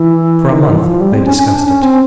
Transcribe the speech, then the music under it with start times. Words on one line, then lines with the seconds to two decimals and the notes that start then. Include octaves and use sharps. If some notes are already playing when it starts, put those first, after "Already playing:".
For a month they discussed it.
Already playing: E3
0.51 D#3
0.67 E3
0.83 F3
1.00 G3
1.13 C4
1.25 C#4
1.37 C#4
1.49 D4
1.66 C#4
1.82 C4